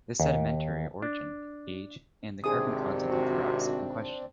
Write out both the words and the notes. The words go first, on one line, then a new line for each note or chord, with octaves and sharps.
The sedimentary origin, age and the carbon content of the rocks have been questioned.
D#2
D4
G#1 C3 C4 D4 G#4 D#6
F#4